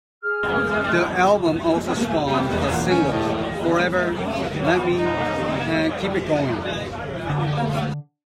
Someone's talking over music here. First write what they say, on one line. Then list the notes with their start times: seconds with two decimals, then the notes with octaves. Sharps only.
The album also spawned the singles "Forever", "Let Me", and "Keep It Going".
0.22 G#4 F6
2.27 G3
2.51 E2
2.71 E1 A#2 A#3 F5
2.90 C#4
3.11 A2 D#5 G5 A5
4.97 D#4
7.29 D3